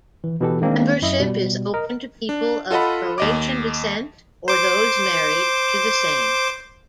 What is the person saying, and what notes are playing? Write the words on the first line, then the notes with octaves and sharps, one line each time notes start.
Membership is open to people of Croatian descent or those married to the same.
E3
B2 E3 G4 A4
D#3 G#3 A#3 C4 D4
F#2 E4 D#5 E5
B2 G3
A#4 D#5
D4
F4 A4 D#5 F#5 B5
D#2 D#5 D6
C5 D6